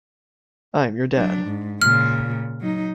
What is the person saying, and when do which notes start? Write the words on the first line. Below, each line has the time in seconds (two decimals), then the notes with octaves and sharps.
I'm your dad.
1.15 F#3 D4
1.47 G#2
1.82 A#2 C#3 F6
2.61 F#3 D#4